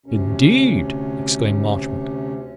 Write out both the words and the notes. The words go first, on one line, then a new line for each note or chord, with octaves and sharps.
"Indeed!" exclaimed Marchmont.
D2 C3 C#4